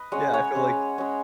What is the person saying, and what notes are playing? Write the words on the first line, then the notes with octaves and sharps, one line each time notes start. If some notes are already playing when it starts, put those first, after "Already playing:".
Yeah, I feel, like,
Already playing: B4 D#5
G#3 C#4 C#5 F#5
C#5 F#5
G#3 C#4
G#3 C#4